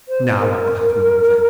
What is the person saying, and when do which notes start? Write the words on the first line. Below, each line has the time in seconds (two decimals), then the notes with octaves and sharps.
Now I will have my revenge.'
0.08 C5
0.40 A#4